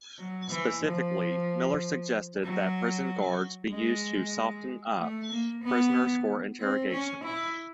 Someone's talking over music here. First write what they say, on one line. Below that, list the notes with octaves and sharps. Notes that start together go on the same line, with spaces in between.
Specifically, Miller suggested that prison guards be used to "soften up" prisoners for interrogations.
F#3
E3
F3
F#3
G#3
A3
A#3
B3
C4
C#4
E4